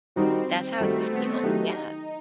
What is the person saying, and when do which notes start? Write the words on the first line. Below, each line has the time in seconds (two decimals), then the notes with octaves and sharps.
That's how he feels. Yeah.
0.16 D#3 G3 C4 D#4 F#4
0.80 D#3 G3 A3 D#4 F#4
1.12 B3
1.43 D#3 F#3 A3 D#4 E4 G4